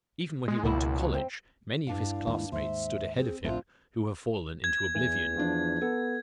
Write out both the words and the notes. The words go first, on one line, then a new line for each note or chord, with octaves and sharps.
Even when he went to college many of his classmates stood ahead of him, who have fallen into oblivion.
G#3
C#2 B2 A#3 E4
F#3
C4
G2 D4 E4 F5
D#2 G#2
D#2 G#2 C5 E5
C4 G#4
A#1 A2 C4 D4 F4 E5
G#6
E2 E3
F3 D4
B3 A4